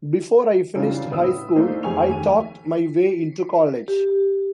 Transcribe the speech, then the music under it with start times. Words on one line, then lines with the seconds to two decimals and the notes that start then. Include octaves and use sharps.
Before I finished high school, I talked my way into college.
0.75 C#3 E3 F#3 G3 D4 F4
1.11 A2 B3 E4 D#6 E6
1.55 E3 A3 A#3 D4 D#4 C5
1.83 F2 G4 G#4 G#5 C#6 F7
2.07 D#2 A3 G#5 D#7
3.88 G4